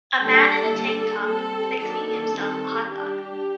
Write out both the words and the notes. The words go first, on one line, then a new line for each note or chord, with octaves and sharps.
A man in a tank top fixing himself a hotdog.
D3 G3 A#3 D4 A4
G3 A#3 D4
G3 C4 A4
D#3 F#3 A#3 D4 A4
D#3 G3 C4
G3 D4 G4